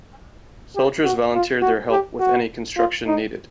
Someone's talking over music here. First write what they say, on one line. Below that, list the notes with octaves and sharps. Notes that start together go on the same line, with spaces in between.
Soldiers volunteered their help with any construction needed.
G4
F#4
F4
F#4
G4
F#4
F4
D#4